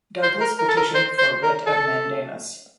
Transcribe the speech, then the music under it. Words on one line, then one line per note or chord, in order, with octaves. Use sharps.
Douglas petitioned for writ of mandamus.
C5
A#4
A#4
A4
A#4
C5
C5
A#4
A4